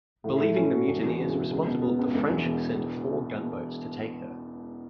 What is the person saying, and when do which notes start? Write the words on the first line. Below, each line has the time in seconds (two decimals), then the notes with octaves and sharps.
Believing the mutineers responsible, the French send four gunboats to take her.
0.24 A2
0.40 A3
0.56 C#4
0.72 F#4
0.88 E1
1.04 E2
1.19 C#3
1.34 E1
1.51 C#2
1.67 B2
1.82 B3
1.99 C#2
2.14 E1
2.29 E2
2.45 B2